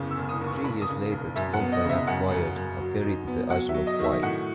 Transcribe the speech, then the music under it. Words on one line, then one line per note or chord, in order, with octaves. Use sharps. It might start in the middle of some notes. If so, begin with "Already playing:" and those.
Three years later the company acquired a ferry to the Isle of Wight.
Already playing: F#1 E2 C#3
E6
E1
D#6
D#2
C#6
E1 B5
D#6
C#3
E1
F#2 E5
F#5
B3
D#5
C#3
E5
F#2 F#5
F#2
F#2
F#3
D#4
B3
F#3 F#5
E5
F#3
D#5
D#3
E5
A2 F#5